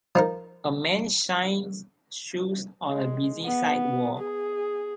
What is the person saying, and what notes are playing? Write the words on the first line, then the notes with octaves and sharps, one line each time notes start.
A man shines shoes on a busy sidewalk.
F3 D#4 A#4
G#3
B3
G#4